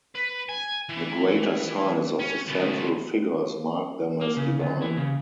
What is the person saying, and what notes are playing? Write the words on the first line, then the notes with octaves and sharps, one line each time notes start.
The greater size of the central figures mark them as divine.
B4
G#5
E3
C#4
D2 B2
A#3
C#3
D2
E3
C#3